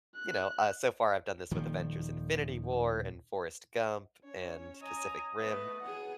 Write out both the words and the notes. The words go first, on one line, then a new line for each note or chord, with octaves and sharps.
you know, uh, so far I've done this with Avengers Infinity War and Forrest Gump, and Pacific Rim,
F#6
D#1 D#3 F3
C#4 C#5
D#5 G#5 A#5
A3 B3 B4
E3 F#3 B3 G#4 F#5